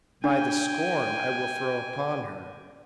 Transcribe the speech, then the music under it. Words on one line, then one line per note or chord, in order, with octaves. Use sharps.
"By the scorn I will throw upon her."
D4 G5 G#5